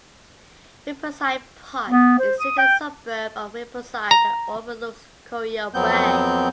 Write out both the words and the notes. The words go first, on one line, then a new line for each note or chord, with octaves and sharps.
Rippleside Park is in the suburb of Rippleside and over-looks Corio Bay.
B3
C5
D#6
G5
A#5
F2 F#3 B3 C4 G6